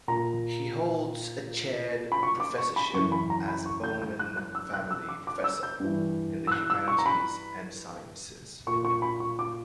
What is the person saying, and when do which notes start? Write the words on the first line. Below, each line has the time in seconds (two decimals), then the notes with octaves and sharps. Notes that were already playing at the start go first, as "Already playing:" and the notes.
He holds a chaired professorship as Bowman Family Professor in the Humanities and Sciences.
0.08 A#2 A#5
2.12 B5
2.23 C#6
2.40 D6
2.58 C#6
2.76 B5
2.94 F#2 C#3 E3 C#6
3.12 B5
3.30 A#5
3.48 B5
3.66 C#6
3.84 G6
4.02 G6
4.19 F#6
4.37 F#6
4.55 E6
4.74 F#6
4.91 E6
5.09 D6
5.27 D6
5.44 E6
5.63 G6
5.80 G2 E3
6.47 E6
6.52 F#6
6.70 E6
6.88 C#6
6.99 A#5
7.06 B5
8.67 A#2 C#6
8.85 C#6
9.02 B5
9.20 C#6
9.39 D6